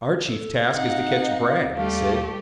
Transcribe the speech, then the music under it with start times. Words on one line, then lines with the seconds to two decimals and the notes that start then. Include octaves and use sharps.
"Our chief task is to catch Bragg," he said.
0.28 A4
0.72 C4 D#4 D#5 F5 F#5
1.75 D#2 G3 A3 G4 F5